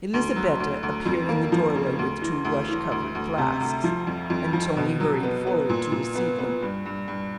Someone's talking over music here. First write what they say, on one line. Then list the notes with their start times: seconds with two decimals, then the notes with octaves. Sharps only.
Elizabetta appeared in the doorway with two rush-covered flasks, and Tony hurried forward to receive them.
0.14 D2
0.36 F#3
0.60 D2
0.83 D2
1.06 F2
1.29 A#3
1.52 F3
1.76 C#3
1.99 D2
2.22 E3
2.45 D2
2.69 E3
2.91 D2
3.15 D2
3.38 C3
3.60 D2
3.84 F3
4.07 F2
4.30 F2
4.53 F3
4.77 B2
5.00 F#3
5.23 B3
5.47 B3
5.69 A#2
5.92 A#2
6.15 B3
6.39 B3
6.62 G2
6.85 G2
7.08 G2